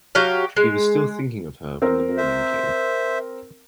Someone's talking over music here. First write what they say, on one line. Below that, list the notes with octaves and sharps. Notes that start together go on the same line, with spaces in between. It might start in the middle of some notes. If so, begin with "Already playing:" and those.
He was still thinking of her when the morning came.
F#3 G4 F5
G#3
C4 A#4
C5 E5